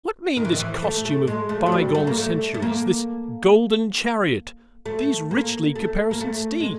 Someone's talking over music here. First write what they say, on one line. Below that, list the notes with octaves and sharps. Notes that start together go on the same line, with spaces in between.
What mean this costume of by-gone centuries--this golden chariot--these richly caparisoned steeds?
D#3
E3
D#3
E3
A3
A3
G#3
A3
F#3
G3
A3
A#3
A3
A3
A#3
A3
A#3
A3
A#3
A3
G#3